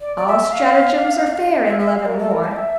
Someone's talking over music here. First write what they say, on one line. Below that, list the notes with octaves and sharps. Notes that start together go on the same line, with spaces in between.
"All stratagems are fair in love and war."
D5
D5
E5
F5
E5
E5
F5
A#4
A4
A#4
A5
D5
E5